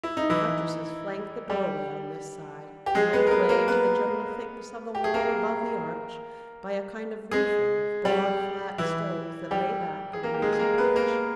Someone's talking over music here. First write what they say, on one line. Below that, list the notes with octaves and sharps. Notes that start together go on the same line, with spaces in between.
Buttresses flank the doorway on this side, dying away into the general thickness of the wall above the arch by a kind of roofing of broad flat stones that lay back at an easy pitch.
E4
D#4
E3 E4
G3 G4
G4
G#3 G#4
B3 B4
A#4
B3 B4
A#3 A#4
B3 B4
G4
G#4
A#3 A#4
G#3 G#4
G3 G4
E3 E4
G3 G4
G#4
A#3 A#4
G4
G#3 G#4
G#4
A#3 A#4
B3 B4
A#3 A#4